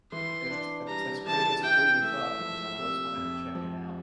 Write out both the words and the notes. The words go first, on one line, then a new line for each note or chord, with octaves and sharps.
It's that's that's cra it's a crazy thought because I've always wanted to check it out.
E3 C6
D4
G3 A#5
E3 A5
E4 G5
A3 E5
F3
C3
F2
F3